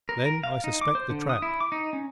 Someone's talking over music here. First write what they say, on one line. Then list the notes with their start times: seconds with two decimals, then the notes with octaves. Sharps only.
Then I suspect the trap.
0.09 A#4
0.26 A#4
0.44 F5
0.64 D#4
0.81 D6
0.95 C5
1.10 D3
1.29 D#6
1.42 E4
1.60 D6
1.72 D#4
1.93 C#4